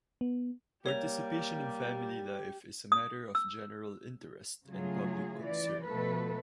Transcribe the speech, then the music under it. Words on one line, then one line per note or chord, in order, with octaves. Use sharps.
Participation in family life is a matter of general interest and public concern.
B3
G3 A#3 G4 C#5 F7
D#6
E6
C#3 F#3 A3 F4 G#4
E3 D5
B2 F3 A3 A4 B4